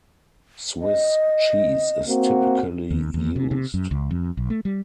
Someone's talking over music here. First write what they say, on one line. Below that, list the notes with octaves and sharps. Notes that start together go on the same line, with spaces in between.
Swiss cheese is typically used.
D#5
A#3 C4 F#4
D#2
E2
C3
C3
F#2
C#2
F2
B1
A3
G3